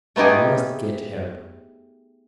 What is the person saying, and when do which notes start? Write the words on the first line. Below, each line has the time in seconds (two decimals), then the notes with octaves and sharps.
"I must get help."
0.16 A3 B3 D#4 G4 G#4